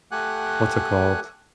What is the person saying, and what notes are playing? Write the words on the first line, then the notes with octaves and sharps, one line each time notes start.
what's it called
A3 G4 F#5 G#5 F#6